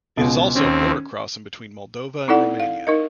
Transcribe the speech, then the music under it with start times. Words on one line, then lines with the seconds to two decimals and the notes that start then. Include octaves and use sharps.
It is also a border crossing between Moldova and Romania.
0.17 C#2 B2
0.55 D#2 C4 C#4
2.28 C4 D#4 E4 A4 D5 F#5
2.60 F5
2.87 D#4 A#4 D#5